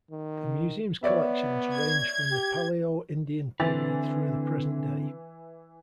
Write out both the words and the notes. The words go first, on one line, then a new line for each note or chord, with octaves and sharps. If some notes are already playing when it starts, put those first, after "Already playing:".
The Museum's collections range from the Paleo-Indian period through the present day.
D#3
B3 C#5 D5 E5
G#6
G4
D3 E3 C4 B4 A6 F7